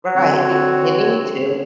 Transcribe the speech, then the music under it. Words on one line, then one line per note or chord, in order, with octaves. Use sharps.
Right, you you need to,
D3 C4 F#4 C#5